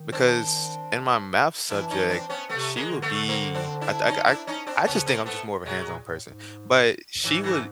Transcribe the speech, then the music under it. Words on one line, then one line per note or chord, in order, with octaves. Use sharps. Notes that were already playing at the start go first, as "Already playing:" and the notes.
because in my math subject, she would be I th I I just think I'm just more of a hands-on person, but she would
Already playing: D#3
C4 D4
E3 D4 E4
C#4 D#4
C4 D4
B3 C#4
C3 A3 B3
G#3 A#3
D3
A3 B3
A#3 C4
C4 D4
D4 E4
C#4 D#4
D4 E4
C#4 D#4
C4 D4
C#3 B3 C#4
A#3 C4
A3 B3
B2 F#3 G#3
A#2
A2
G#2
G#2 E3 F#3
D3 E3